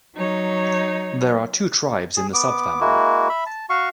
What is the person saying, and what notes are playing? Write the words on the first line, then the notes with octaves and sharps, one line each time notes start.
There are two tribes in the subfamily.
F#3 D#4 C#5
G#4
B3 D6
G#3 A#3 E4 F#4
E5 B5
A5
F#4 F5 C#6